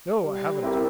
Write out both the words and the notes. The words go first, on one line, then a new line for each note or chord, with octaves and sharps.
'No, I haven't.
G3
C4 E4 G4 A#4